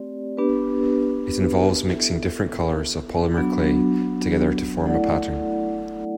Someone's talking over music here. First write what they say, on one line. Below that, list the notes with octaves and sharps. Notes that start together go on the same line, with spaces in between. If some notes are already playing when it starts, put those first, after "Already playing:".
It involves mixing different colors of polymer clay together to form a pattern.
Already playing: A3 C4 G4 D5
B3 D4 G4 B4
B3 E4 A4 E5
F#3 B3 D4 F#4
A3 E4 A4 D5 F#5